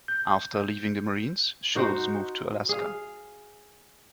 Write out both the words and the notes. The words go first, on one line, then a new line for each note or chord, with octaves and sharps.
After leaving the Marines, Schulz moved to Alaska.
G6
D#4 F#4 C5
G#4 F5